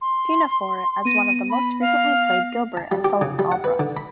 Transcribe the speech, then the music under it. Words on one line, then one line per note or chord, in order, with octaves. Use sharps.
Pinafore as one of the most frequently played Gilbert and Sullivan operas.
C6
B3 A#6 D#7
B5
F5
A5
G3
G4
C#3
G3
F#5
B4
D3
B5